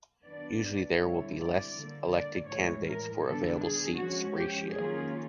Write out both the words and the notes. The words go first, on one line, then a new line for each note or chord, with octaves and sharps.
Usually there will be less elected candidates for available seats ratio.
D#3 F#3 B3 D4 D5
D3 G3 C4 E4 C#5
D5
D3 G3 A#3
D5
A2 E3 G#3 C#5
A#4
D3 G3 B3 D4 A4
G#4
F3 G#3 C#4 F#4
G4
D#3 F#3 A#3 C#4 F4 G#4